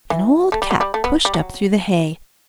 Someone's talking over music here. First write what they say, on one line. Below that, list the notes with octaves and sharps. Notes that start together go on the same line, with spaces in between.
An old cap pushed up through the hay.
E3
A3
G3
F#3
G3
A3
B3
G3
F#3